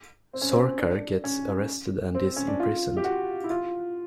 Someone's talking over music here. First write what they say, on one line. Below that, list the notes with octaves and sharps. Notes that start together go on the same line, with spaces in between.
Sarkar gets arrested and is imprisoned.
C4
C#4
C4
D4
C#4
C4
C4
C#4
D4
F4
G4
F#4
E4
F4